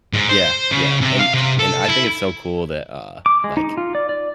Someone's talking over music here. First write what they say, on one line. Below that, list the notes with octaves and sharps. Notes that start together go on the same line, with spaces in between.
Yeah, yeah, and and I think it's so cool that, uh, like
G#2
C5
C#3
C3
F5
C3
A4
E4
D6
G#3
D#4
F4
D5
D5